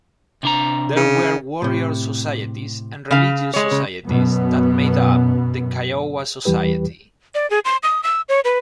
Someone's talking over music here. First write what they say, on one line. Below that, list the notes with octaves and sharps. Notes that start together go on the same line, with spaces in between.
There were warrior societies and religious societies that made up the Kiowa society.
C3 D4 A#5
C#3
A2 C3
C#3 F5
G#3 C#5
C#3
F#2 B2 B3
E2 E3 G3 G4 B4
D5
G#4
C6
D#6
E6
C#5
B4